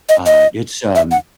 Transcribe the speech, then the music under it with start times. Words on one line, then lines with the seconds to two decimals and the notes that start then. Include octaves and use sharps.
uh, it's um,
0.09 D#5
0.26 D#5
0.95 E5
1.11 F#5